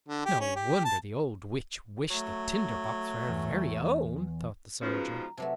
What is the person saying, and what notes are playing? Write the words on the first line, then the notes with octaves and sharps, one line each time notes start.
"No wonder the old witch wished the tinder-box for her very own," thought the soldier.
D3
G4
C#4
G4
A5
F#3 A3
E2
G#2 B2 F3 C#4 G#4 B4
A#5
C3 F#3 A3 B4 A5